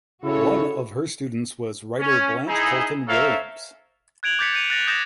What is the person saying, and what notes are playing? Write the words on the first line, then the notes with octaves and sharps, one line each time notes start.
One of her students was writer Blanche Colton Williams.
C#3 E4 F#4 A4 C#5
C#4
D#4 E4 G#4
A4 A#4 C5 C#5 E5 F5
F#6 G#6 D7 F7 F#7
D6 G6 A6 B6 C#7
G6 C#7 D#7 F7
F#6 A6 A#6 F7
D#6 G6 A6 A#6 E7